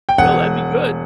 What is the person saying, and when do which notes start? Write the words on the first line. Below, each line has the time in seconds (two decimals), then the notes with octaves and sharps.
Well, that'd be good.
0.09 G5
0.18 E1 F#5